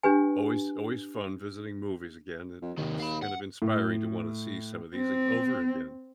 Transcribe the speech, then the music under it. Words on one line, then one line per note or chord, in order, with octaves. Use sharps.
Always always fun visiting movies again, it it's kind of inspiring to wanna see some of these a over again.
D4 G4 B4 G#5
F2
D#2 C3 D#3
F5 B5
F#5
A2
C4